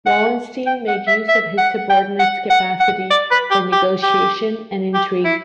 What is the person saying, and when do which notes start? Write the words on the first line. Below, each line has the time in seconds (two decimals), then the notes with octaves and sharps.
Wallenstein made use of his subordinate's capacity for negotiation and intrigue.
0.06 F#5
0.67 G5
0.88 F#5
1.07 E5
1.29 E5
1.58 F#5
1.90 G5
2.20 F#5
2.50 F#5
2.80 F#5
3.10 D5
3.31 B4
3.51 G4
3.73 G4
4.03 G4
4.94 G4
5.25 E4